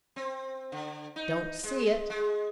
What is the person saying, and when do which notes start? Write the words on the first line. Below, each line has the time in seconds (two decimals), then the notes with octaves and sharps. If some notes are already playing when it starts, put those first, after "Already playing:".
'Don't see it.
0.16 C4
0.72 D3
1.16 D#4
1.64 G#3
2.10 G#3